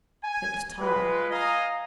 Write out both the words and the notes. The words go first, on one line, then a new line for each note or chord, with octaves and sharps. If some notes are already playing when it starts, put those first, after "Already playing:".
It was Tall.
G#5
G#3 F4 B4
D#5 F5 G#5 A#5 D#6